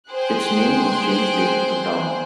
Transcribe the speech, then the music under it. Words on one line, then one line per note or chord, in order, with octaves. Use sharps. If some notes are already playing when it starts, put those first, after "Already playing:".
Its name was changed later to Downe.
G#4 C5 G5 C6 F#6